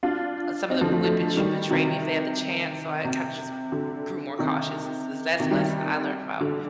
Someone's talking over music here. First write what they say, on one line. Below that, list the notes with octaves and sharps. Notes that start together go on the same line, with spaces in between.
some of them would bet betray me if they had the chance. So I kinda just g grew more cautious is, is that's the lesson I learned about
D4 F4
C4 D#4
D3 F3
F3 A3
F3 A3
D#3 G3
C3 D#3
C3
D3
C3 D#3
C3 D#3
D#3 G3
D3